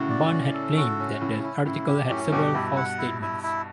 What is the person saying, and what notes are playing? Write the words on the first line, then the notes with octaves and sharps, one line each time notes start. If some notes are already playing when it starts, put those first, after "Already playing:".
Bond had claimed that the article had several false statements.
Already playing: A2 C#3 F#4
D5
C#4
A4
F#4
C#4
A2 C#3 E4
E4
A2 C#3 E4
G4
F#2 A2 C#4
C#3
G2 B2 G4
G2 B2 E4
F#5
E4
E4
E4